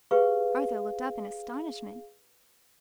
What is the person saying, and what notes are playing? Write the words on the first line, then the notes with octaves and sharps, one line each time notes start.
Arthur looked up in astonishment.
G4 G#4 B4 F5 C#6